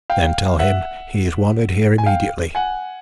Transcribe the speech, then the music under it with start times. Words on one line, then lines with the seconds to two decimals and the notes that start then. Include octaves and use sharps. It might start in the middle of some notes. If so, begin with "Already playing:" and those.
"Then tell him he is wanted here immediately."
0.10 F5 G5
0.59 E5 F#5
1.98 G#5
2.06 F5 G5
2.55 F#5 G#5